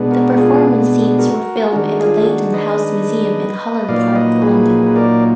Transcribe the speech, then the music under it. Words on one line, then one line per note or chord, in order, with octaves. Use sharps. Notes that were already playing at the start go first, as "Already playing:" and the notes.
The performance scenes were filmed in the Leighton House Museum in Holland Park, London.
Already playing: B2 G#3 B3 D4
F#4 A#4
F4 G#4
F#4 A#4
D#3 G#3 D4 F#4 A#4
F4 G#4
F#4
B4 D#5
A#2 F#3 A#3 D#4 D5 F5
B4 D#5
G#4 B4
B4
A#4 D5